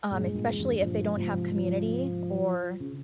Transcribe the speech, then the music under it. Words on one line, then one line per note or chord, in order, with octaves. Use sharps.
um, especially if they don't have community or
G2 A#2 G#3
G2 A#2
F2
E2 G2
G2 A#2 F3
G#2 C3 F3
F3
C#3